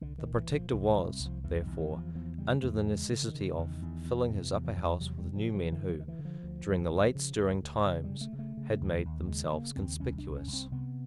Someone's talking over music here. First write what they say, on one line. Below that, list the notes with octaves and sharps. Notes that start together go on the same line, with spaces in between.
The Protector was, therefore, under the necessity of filling his Upper House with new men who, during the late stirring times, had made themselves conspicuous.
C2 D3
D#3
A#2
E3
A#2
F3
C2 D#3
D#3
C2
C2
F3
E2 E3
D#3
E2
E3
E2 F3
E2 F3
C#3 G3
E2 A3
C#3 G#3
C#3
D#3
C#3
E2 D#3
E2
E2
C3 E3
E2 F#3
F3
E2
C3 F#3
G3
C3
F3
C3
F3
D3 E3
F3
D2 D#3
E3
D3
F3
D2
D2
D2
C#3
D2
D2
C#3
G3
C#3
A3
C#3
A3
C#3
D#2
D#2
C#3 G#3
C#3 A#3
D#2 C4
C2 C#4
C2 D4
C#4
C2
C4
C3 B3